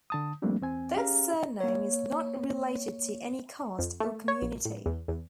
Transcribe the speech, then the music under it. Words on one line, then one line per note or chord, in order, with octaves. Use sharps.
This surname is not related to any cast or community.
D3 A5 D#6
F3 G3 A3 A#3 C4 D4
E2 C4 G#5
C#4 G4 G#4 F5 A#5
A#3 C#5
F2
A3
C#5
A#1
A2
E2
E2